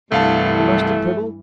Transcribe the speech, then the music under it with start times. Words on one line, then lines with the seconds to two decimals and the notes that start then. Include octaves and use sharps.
'The mustard, Prebble?
0.12 C2 G2 E3 A3 F5 A5